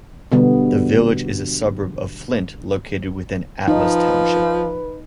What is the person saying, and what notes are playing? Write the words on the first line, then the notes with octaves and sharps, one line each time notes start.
The village is a suburb of Flint located within Atlas Township.
B2 D3 G3 B3
F3 D#4 B4